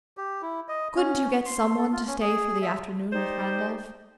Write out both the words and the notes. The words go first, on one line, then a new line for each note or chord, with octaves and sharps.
"Couldn't you get some one to stay for the afternoon with Randolph?"
G4
E4
D#5
C#4
C6
A4
F4
C#4
G#4
E5
D#4 G4 C5 D5